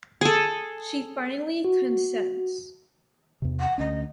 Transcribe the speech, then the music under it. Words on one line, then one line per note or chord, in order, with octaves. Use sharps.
She finally consents.
G#4 A4
F#4
E2 C3
F#5
D2 C#4 D#5